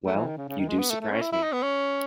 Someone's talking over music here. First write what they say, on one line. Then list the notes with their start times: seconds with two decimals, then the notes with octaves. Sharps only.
Well, you do surprise me!
0.06 A3
0.16 E3
0.27 D#3
0.37 C#3
0.48 C#3
0.59 D#3
0.68 G#3
0.79 B3
0.90 A3
1.01 A3
1.12 C#4
1.21 E4
1.32 E4
1.43 D#4
1.53 B3
1.63 C#4